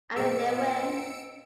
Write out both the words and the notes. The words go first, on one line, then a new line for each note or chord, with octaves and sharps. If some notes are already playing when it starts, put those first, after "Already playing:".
And in they went.
A#2 G#4 D#5 E6 C#7 D7